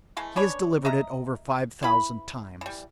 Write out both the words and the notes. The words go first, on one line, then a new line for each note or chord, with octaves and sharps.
He has delivered it over five thousand times.
E3 G#3 A3
C#4 D4 B4 C#5
D#5 E5 A#5
E4 B4 B5
E3 G3